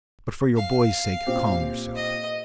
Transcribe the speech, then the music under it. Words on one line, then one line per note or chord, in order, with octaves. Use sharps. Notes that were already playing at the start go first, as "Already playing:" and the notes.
But for your boy's sake, calm yourself.
F5
A#2 C4 G4
D#5